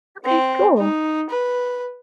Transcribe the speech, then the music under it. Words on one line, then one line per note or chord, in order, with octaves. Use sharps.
Okay, cool.
C4
D#4
B4